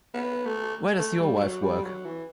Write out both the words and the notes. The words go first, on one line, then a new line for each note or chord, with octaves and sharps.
Where does your wife work?
B3
A3
A3
G3
F#3
G3
F#3
E3